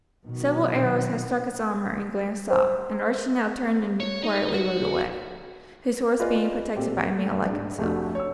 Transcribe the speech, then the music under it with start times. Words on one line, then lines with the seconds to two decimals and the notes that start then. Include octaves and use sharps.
Several arrows had struck his armour and glanced off, and Archie now turned and quietly rode away, his horse being protected by mail like himself.
0.24 B2 D#3 F#3
2.50 C5
4.00 C#5
4.23 D#4
4.54 F#4
6.20 F4 G#4 B4 D5 D#5 F5
6.76 A#2 C4 G4 A4
7.16 A3
7.46 G#2 D4
7.78 F1 A3 D4 F#4
8.15 C#5 E6